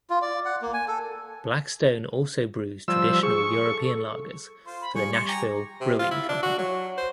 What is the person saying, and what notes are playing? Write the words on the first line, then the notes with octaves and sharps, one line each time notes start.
Blackstone also brews traditional European lagers for the Nashville Brewing Company.
F4
D5
F#5
A#3
G#5
A4
F3 G3 E6
G#4 C#6
A4
F4 C5
B5
F3 G3 G#5 C#6
C6 D6
G5 G#5 A#5
C3
F4
E4
D4
F#4
F#3
C5